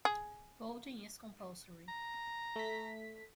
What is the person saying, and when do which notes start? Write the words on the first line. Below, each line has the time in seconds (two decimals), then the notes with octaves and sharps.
Voting is compulsory.
0.05 G#4
1.88 A#5
2.56 A3 B6